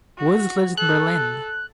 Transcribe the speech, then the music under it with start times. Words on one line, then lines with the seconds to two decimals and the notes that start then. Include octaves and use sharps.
Woods lives in Berlin.
0.17 F#4
0.77 A4 F#6